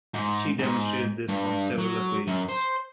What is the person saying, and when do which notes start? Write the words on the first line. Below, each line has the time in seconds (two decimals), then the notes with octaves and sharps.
She demonstrates this on several occasions.
0.14 G#2
0.59 G#2
1.29 G2
1.78 F#3
2.27 F#2
2.49 C5